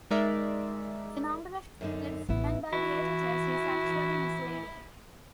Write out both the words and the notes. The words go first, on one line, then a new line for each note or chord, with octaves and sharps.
The number of "tablets" given by the editors is actually misleading.
G#3 D#4 A#4 D5 E5
F#2 D3 D#4
A1 B3 E4
E3 E4 F#4